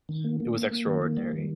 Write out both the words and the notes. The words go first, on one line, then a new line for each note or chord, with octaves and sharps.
It was extraordinary.
D#3
A#3
A#3
A#3
A#3
D#3
A#3
G3
D#3